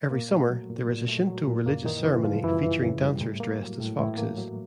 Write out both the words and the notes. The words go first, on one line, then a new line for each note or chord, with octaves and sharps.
Every summer, there is a Shinto religious ceremony featuring dancers dressed as foxes.
A#2 A#3
A3
F#3
A#2
A#2
A3
F#3
A#2
F#2 A#3
D#3 E3 D#4
C#3 E3 E4
F3 G3 F4
F#2 E3 E4
E3
C#3
G3
A2
A#3
F#3
A2
A2 E3 E4
A#3
F#3